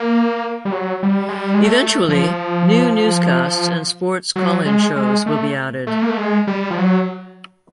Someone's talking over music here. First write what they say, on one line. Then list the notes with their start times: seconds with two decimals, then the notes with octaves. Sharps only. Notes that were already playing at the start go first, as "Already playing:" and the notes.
Eventually, new newscasts and sports call-in shows will be added.
Already playing: A#3
0.65 G3
0.72 F#3
1.03 G3
1.29 G#3
1.33 G3
1.54 G#3
1.63 A3
2.09 F3
4.36 F#3
4.66 G#3
4.96 G#3
5.26 A3
5.87 A3
6.02 A#3
6.09 A3
6.17 G#3
6.47 G3
6.70 F3
6.78 F#3